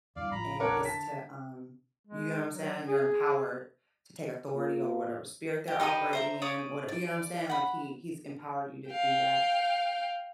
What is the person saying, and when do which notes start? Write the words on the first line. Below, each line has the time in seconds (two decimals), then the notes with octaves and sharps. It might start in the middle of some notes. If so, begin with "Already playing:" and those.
and it's to, um you know what I'm saying? You're empowered to take authority over whatever spirit they're operating in whatever you know what I'm saying? Like, He He's empowered you to do that,
0.16 E2 G2 E3 D5 F5
0.32 A1 D#3 F3 A#5 B5
0.60 A#1 E2 D4 A#4 C#5 F#5 D6
0.85 D3 A5 B6
2.07 G#3
2.49 F#3
2.87 G#4
4.54 A#3 F4
5.68 G4
5.80 D#4 G4 B4 D#6
6.13 C5 E5 A#5
6.42 C#5 D5 D6 D#6
6.88 D5
7.50 F#5 B5
8.89 F5 G5